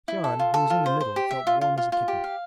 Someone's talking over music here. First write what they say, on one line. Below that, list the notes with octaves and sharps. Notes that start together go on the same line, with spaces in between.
John, who was in the middle, felt warm as a kitten.
E4
A4
F4
A4
F4
C5
C5
G4
E5
F4
F4
F4
F4
G4
F5